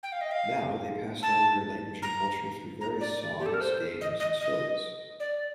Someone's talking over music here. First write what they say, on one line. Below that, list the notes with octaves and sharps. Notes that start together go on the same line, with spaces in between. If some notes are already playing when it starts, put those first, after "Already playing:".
Now, they pass down their language and culture through various songs, games, and stories.
G5
F5
D#5
F5
A5
A#5
A#5
D5
D5
G4
A4
A#4
C5
D#5
D#5
D#5
D5